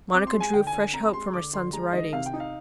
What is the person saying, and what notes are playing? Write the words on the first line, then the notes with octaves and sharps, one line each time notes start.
Monica drew fresh hope from her son's writings.
C4 D6
C6
G#3
G#5
D3 G5
G#5
D3
G#5
C4 A#5
G#3 C6
D3 D6
D3 C6
G#3 A#5
D#3 D#5
C3 F5
G5
D#4
F5